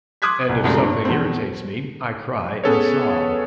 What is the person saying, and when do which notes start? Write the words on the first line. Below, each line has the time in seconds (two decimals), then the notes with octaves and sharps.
And if something irritates me, I cry and sob.
0.22 C6 D6 D#6 F#6 G#6 B6
0.49 C2
0.64 C2 F#2 A#2 G#3 A3
0.82 G2
1.05 E2 B2 C4
2.64 B3 C#4 G#4 A4 B4 C#5